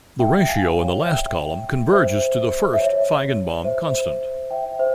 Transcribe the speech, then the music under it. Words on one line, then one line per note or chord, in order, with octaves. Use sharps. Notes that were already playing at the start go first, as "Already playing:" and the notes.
The ratio in the last column converges to the first Feigenbaum constant.
E5 G5
F5 G#5
C#5 F5
E5 G5
C5 E5
E5
C#5
C5 E5
E5 G5
C5 E5